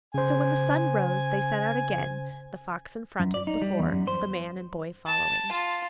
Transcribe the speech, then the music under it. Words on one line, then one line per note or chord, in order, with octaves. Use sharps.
So when the sun rose they set out again, the fox in front as before, the man and boy following.
C#3 C5 G#5
F#2
D5
D#4
G3
E2
F#2
C5
A5
F4